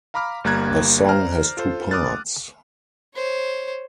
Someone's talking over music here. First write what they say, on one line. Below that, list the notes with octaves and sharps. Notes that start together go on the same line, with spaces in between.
The song has two parts.
F5 A#5 B5 D6 F6
G1 G3 A#3 A#5 F#6 G#6
C5 D5 A#5 F6
F4 A4 C5
D6 D#6 F6 F#6 A6
C5 C#5